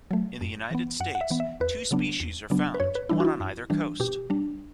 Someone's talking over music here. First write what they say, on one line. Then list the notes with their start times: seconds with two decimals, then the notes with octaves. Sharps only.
In the United States, two species are found, one on either coast.
0.11 F#3 A3
0.41 F#2
0.71 E3 B3
1.00 F#2 F#5
1.15 F#5
1.21 E5
1.30 E3 B3
1.40 E5
1.60 E2 B4
1.91 C#3 F#3 B3 D4
2.20 E2
2.50 C#3 F#3 B3 D4
2.74 B4
2.80 F#2 C#5
2.95 B4
3.09 E3 G3 D4 E4
3.20 F#4
3.25 E4
3.40 F#2
3.70 E3 G3 D4
4.00 B2 G4
4.30 G3 D4